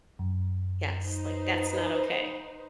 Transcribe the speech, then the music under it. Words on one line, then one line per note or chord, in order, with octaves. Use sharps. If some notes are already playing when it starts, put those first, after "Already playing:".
Yes, like, that's not okay.
F#2
D#4 B4 C5